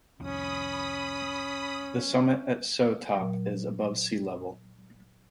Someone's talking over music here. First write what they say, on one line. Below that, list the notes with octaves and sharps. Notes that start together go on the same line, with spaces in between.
The summit at Sough Top is above sea level.
C2 F2 C#4 B5 D#6
A#2 F#3